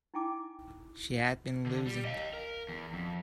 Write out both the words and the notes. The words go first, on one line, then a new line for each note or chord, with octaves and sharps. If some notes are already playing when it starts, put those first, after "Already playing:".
She had been losing.
D#4 E4 G5 G#5 D6
D3
G3
D#5 F5
A#4
E2
F2